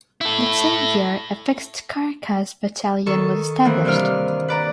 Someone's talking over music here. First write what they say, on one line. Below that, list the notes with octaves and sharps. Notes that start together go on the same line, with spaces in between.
That same year, a Fixed Caracas Battalion was established.
E4 A4
D#3 A4 C#6
D#3 E3 A#3 C4
G2 C3 D#3 D5 F6
B4 D5 A#5